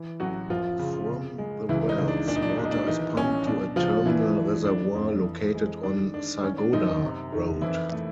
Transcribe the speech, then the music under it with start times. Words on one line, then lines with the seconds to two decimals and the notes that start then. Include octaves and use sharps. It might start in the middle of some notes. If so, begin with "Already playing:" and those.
From the wells, water is pumped to a terminal reservoir located on Sargodha Road.
Already playing: E3
0.20 A1 F#3 F#4
0.50 F#2 F3 F4
0.79 C#3
1.09 C#3
1.38 G#3
1.69 C#2 E3 E4
1.88 D#3 D#4
1.98 C#2
2.08 D4
2.28 A#2 D4
2.36 D#4
2.42 D4
2.49 D#4
2.58 B1 D4
2.65 D#4
2.71 D4
2.87 D#3 E3 D#4
3.16 A1 C#4
3.47 B2 D4
3.76 C#2 F3 F4
4.06 G2 E3 E4
4.36 G2
4.65 F2 D4
4.95 F2
5.24 E3
5.54 G#3
5.83 D#3 D4
6.14 D#3 D4
6.43 D#3 C#4
6.58 D4
6.73 F#2 D#3 D#4
6.87 D#3 D#4
7.03 C3
7.32 D#3
7.61 F2 E3 E4
7.92 A3